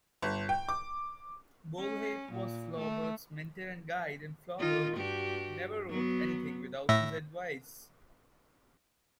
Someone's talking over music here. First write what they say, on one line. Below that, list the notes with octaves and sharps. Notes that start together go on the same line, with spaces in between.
Bouilhet was Flaubert's mentor and guide, and Flaubert never wrote anything without his advice.
G1
G5
D6
C#4
A#2
A3
D#3 D#4 F4
G2 F#4 G4
F#3 B3
A2 E5 A#6